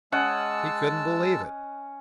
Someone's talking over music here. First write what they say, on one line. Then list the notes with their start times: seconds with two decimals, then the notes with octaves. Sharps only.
He couldn't believe it.
0.12 G#3 C#4 D#5 F#5 A5 E6